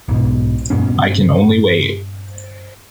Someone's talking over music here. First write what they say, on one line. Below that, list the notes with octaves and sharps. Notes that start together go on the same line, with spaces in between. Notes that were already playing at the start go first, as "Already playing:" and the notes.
I can only wait.
B1 G#2 B2
G2 A#2 B3 C#4